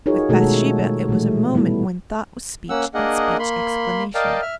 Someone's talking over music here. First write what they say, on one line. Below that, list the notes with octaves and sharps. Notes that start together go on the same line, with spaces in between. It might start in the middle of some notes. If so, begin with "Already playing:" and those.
With Bathsheba it was a moment when thought was speech and speech exclamation.
D#4 F4 F#4 G#4 A#4 C#5
B2 D#3 G#3 A3 F#4 A4
A#2 E3 A3
E3 G3 B3 E4
A#3 C#4 F#5 E6
A#3 D4 G#4 A#4 D#5 F#5
A#3 B5 C6
A#4 D5 D#5 F5 G5 A5
E5 F6